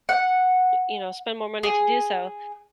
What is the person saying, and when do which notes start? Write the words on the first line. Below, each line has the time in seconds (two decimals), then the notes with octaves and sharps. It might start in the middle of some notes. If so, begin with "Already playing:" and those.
you know, spend more money to do so,"
0.09 F#5
1.63 G#4